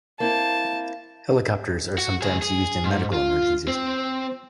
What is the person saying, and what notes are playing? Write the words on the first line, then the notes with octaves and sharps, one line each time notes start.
Helicopters are sometimes used in medical emergencies.
A#3 C4 E4 A5
F#4
C#2 G#4
G#4
G#2
F4
C4